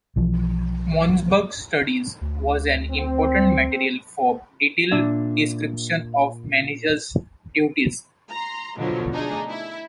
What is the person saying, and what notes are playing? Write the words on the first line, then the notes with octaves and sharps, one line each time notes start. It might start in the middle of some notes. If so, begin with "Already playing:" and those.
Monzberg studies was an important material for detailed description of manager’s duties.
B1 E3 F3
D2
C4
A#2 D4 D5 E5
A#5 C6
B2 D3 F3 F#3
A3 D4 D#4 G#4
E4 E5